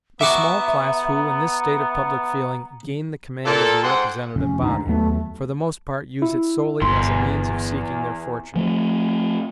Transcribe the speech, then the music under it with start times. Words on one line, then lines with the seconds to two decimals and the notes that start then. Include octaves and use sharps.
The small class who, in this state of public feeling, gain the command of the representative body, for the most part use it solely as a means of seeking their fortune.
0.21 B3 F#4 E5 A#5 C#6 D6
3.45 A#2 A4
3.82 G#2 G#3 C5 F#5 G5 C6
4.36 F1 C#4
4.62 D2 G#2 D3 D#4
4.87 D#2 F#3 A3 B3
6.22 E4
6.82 G1 E2 C6
8.56 F3 A3